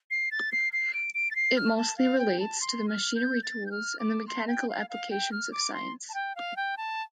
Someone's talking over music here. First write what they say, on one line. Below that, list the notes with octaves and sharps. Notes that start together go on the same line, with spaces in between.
It mostly relates to the machinery tools and the mechanical applications of science.
C7
A6
C7
C7
D7
D7
A6
C7
F6
A5
F5
G5
A5
C6
F6
G6
A6
G6
F6
D6
C6
G5
F5
F5
G5
F6
D6
C6
A5
G5
F5
G5
A5